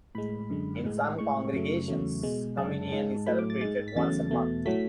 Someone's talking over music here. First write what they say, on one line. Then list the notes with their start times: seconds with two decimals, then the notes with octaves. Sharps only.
In some congregations communion is celebrated once a month.
0.15 A2 G#3 B5
0.50 F#2 D3 G#3
0.84 A2 G#3
1.19 A2 G#3 C#6
1.53 F#2 C#3 F#3 A3
1.88 E2 C#3 F#3 A3
2.23 B2 G#3
2.57 F#2 C#3 G#3 A5
2.92 G#2 G#3
3.26 A2 F#3 A3 B5
3.39 D6
3.50 A6
3.61 G#2 G#3 A6
3.88 B6
3.96 E2 C#3 F#3 A3 A6
4.31 E2 B2 A3
4.66 A2 F#3 A3 B6